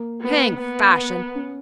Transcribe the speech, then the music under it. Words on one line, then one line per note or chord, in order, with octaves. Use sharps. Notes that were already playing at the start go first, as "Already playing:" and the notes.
'Hang fashion!
Already playing: A#3
B3
B3
C#4